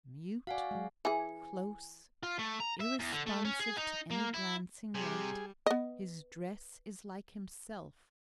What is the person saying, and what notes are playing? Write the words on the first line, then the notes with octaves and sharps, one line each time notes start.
Mute, close, irresponsive to any glancing light, his dress is like himself.
F#4 D5 F5 F#5 G#5
F#3 G#3
E3 G#4 G#5
F4
A3
A#5
E5
E2
D3
A3
C#4
G#4
D#4
A#3
E4
C3 G3 G#4
B3 D#5